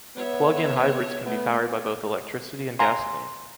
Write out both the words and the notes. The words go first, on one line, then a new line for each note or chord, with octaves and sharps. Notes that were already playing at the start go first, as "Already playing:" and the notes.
Plug-in hybrids can be powered by both electricity and gasoline.
B3 C#5 E5
A3 B3
F5 G#5 A#5 C6